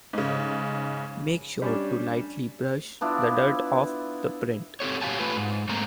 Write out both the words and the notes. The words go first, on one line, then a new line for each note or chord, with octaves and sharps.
Make sure to lightly brush the dirt off of the print.
G#2 C#3
G3 C#4 D4
B3 D4 E4 F4
C4 G4 A4 C#5
A#2 F#4 G4 F5 G#5 A5
A3 F4 B4
G#2
G#2 A3 A#3 C4 A#5